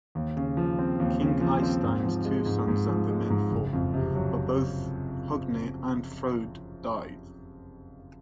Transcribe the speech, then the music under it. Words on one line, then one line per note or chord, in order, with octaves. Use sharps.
King Eystein's two sons and their men fought, but both Hogne and Frode died.
D#2
C#3
F3
C4
D#2
C#3
F3
C4
G#2
F3
G#3
G#2
G#2
F3
G#3
G#2
F#1
F2
C3
F#3